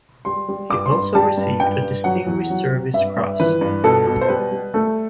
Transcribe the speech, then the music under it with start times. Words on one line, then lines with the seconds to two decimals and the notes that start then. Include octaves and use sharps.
He also received a Distinguished Service Cross.
0.25 G3 C6
0.48 G3
0.70 G2 D6
0.86 C6
0.93 G2
1.15 G3 A5
1.38 G2
1.60 G2 G5
1.82 G2
2.04 F#3 F#5
2.27 E2
2.50 F#3
2.72 C3
2.94 G2 E5
3.17 G2
3.40 E3 B4
3.61 G2
3.84 B2 A4
4.07 B2
4.21 C5
4.28 G3 B4
4.52 G3
4.74 A3 A4